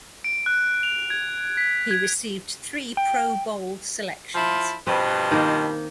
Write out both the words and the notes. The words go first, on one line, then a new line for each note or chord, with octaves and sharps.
He received three Pro Bowl selections.
D7
F#6
F7
G#6
B6
G#6
G5
F3 E4 F4
G2 B2 F3 C4 B4
D#3 A#3